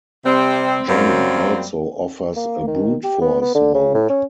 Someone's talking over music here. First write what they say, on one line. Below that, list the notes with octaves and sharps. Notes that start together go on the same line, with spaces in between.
John also offers a brute force mode.
C3 G3 C4
F#2 F#3 G3 A#3 C4
A#3
D#3
G4
B3
B3
D3
C#3
A2
C#4